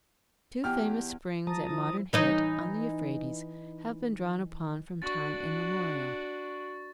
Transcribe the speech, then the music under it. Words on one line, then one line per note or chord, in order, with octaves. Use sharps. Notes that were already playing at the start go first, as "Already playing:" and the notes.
Two famous springs at modern Hit, on the Euphrates, have been drawn upon from time immemorial.
E2 G4 F6
F3 A5 A#5 D#6
E4
E3 D#4 D#5
D4 F#4 C#6 A6